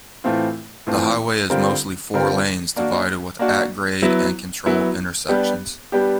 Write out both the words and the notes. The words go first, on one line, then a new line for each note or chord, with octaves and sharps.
The highway is mostly four lanes, divided with at-grade and controlled intersections.
A2 E3 A3 C4 F4
A2 E3 A3 C4 F4
D3 G3 C4 F4 A#4
D3 G3 C4 F4 A#4
A#3 D4 F#4
A#3 D4 F#4
F#3 B3 E4
F#3 B3 E4
G3 B3 D4 G4
G3 B3 D4 G4